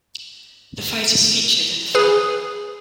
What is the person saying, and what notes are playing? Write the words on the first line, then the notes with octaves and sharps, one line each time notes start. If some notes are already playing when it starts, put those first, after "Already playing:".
The fight is featured in the film.
G#4 B4